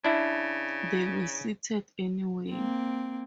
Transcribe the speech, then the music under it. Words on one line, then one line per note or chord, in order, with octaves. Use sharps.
They were seated anyway.
C#3 D4 E4 E5
A#3 C4